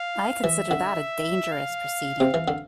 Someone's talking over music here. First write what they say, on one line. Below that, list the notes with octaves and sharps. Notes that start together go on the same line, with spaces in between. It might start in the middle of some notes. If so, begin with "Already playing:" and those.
I consider that a dangerous proceeding.
Already playing: F5
E3 E5
D3
F5
C3
E3
D3